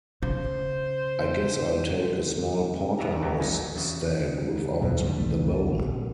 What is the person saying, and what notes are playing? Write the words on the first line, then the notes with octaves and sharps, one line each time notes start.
I guess I'll take a small porterhouse steak, without the bone.
C#3 C5
B3 A#4 C#5 D5 E5 A#5
C#3 E3 B3 D#4 E4
A1 F2 G#3 A3 C#4 D#4
F#3
E2 C#3
D2 G2 B2 F#3
F2 G#2 D3
C2 C3 A3
A#1